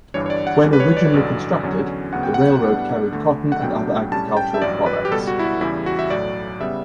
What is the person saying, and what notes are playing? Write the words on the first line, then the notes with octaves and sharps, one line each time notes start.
When originally constructed, the railroad carried cotton and other agricultural products.
G1 G2 E3 G3 D4 C#5
C#5
D5
F#5
D2 D3 G3 D4
B4
C#5
D5
A1 G2 D3 F#3
E2 D3 F#3 C#4
D2 C#3 F#3 B3 F#5
G5
F#5
A2 G3 B3 D4
D2 D3 A3
F#5
B1 B2 F#3 A3 D4 G5
A2 G3 C#4 A5
G5
E5
A1 G2 F#3 D5
B4
G4
C#2 B2 G3 A4
F#4
E4
F#4
E2 C#3 E3 G3 E4
F#4
E5
B1 A2 F#3 D5
C#3 G3 B3 E5